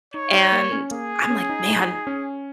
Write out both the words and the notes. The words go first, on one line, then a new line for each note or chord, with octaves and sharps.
and I'm like, "Man,
D#4 C#5
D#4
A#3
C#4
A#3 G#4
C#4
D#4
D#4
C#4